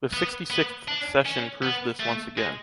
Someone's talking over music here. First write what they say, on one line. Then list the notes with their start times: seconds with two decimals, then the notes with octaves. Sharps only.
The sixty-sixth session proved this once again.
0.13 B3
0.51 B3
0.88 D4
1.25 C#4
1.63 B3
2.00 A3
2.38 G#3